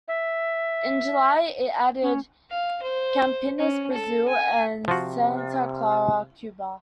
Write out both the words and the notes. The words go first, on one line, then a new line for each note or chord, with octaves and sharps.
In July, it added Campinas, Brazil; and Santa Clara, Cuba.
E5
C#4
F5
C5
C#4
A4
G#5
C3 F3 F4 F#4